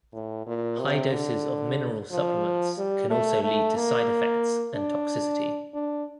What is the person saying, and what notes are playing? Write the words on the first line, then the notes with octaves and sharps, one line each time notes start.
High doses of mineral supplements can also lead to side effects and toxicity.
A2
A#2
C3
D3
F3
G3
A3
A3
A#3
D4
D4